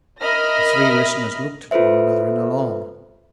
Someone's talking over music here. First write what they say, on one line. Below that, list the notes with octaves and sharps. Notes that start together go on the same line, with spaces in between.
The three listeners looked at one another in alarm.
A#4 D#5 E5 B5 F6 A#6
F4 A4 B4 C5 E5